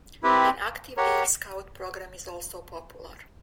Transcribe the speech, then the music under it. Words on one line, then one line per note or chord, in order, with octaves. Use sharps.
An active Air Scout program is also popular.
C4 E4 G4 B4
G4 A#4 C#5 F#5